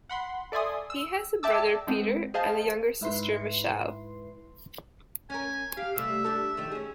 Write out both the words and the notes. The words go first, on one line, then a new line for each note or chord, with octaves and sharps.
He has a brother Peter and a younger sister Michele.
F#5 B5 C6
A4 D5 E5 G#5 C6 D#6
E6
D5 E5 G5 A5 D6 E6
G#3 B3 C4
G#4 C5 D#5 F5 A5
G#2 E4 B4 C6
C#4 A#4 G#5
G4 F5
C3 G3 A3 E5
D4 G4 A4
D#3 F3 A3
C#4 G#4